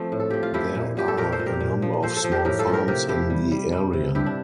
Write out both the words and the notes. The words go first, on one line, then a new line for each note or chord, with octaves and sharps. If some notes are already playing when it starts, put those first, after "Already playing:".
There are a number of small farms in the area.
Already playing: F3 A3 C4
A2
A4
F3 G4
F4
F3 E4 G4
A#2
A#2 G4
A4
A#2 G4 A#4
A4 C5
A#2
G4 A#4
A#2
F3
F3 A4 C5
A4 C5
F3
G4 A#4
A2 G4 A#4
F4 A4
F3
G4 A#4
C3 G4 A#4
F3 E4 G4
G3
G3
G3
C3
G2 E4 G4
D4